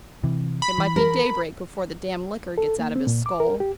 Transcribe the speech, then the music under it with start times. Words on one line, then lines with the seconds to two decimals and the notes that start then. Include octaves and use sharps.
It might be daybreak before the damned liquor gets out of his skull.
0.24 C3 E3
0.62 B5
0.78 E3
0.96 A#4
2.58 A4
2.79 A#3
2.96 C4
3.07 A#2
3.26 D6
3.40 A#4
3.60 G4